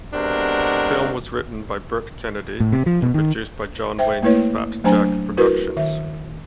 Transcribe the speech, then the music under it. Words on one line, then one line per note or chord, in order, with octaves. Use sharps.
The film was written by Burt Kennedy and produced by John Wayne's Batjac Productions.
C3 G#3 B3 D4 F#4 A#4
A2
C3
F3
B2
D#3
C5 E5 G5
A3 A#3 E4 B4 C#5
F#3 A3 D4 C5 G#5 A#5
E4 F#4 A#4 B4
D#3 E5